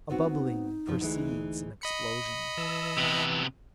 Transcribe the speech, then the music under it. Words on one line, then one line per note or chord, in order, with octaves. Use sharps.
A bubbling precedes an explosion.
B3 C4 D#4 F#4
G2 F3 G3
D2 E3 G#3
D#5 B5 C#7
E3 A5 E6
C3 B3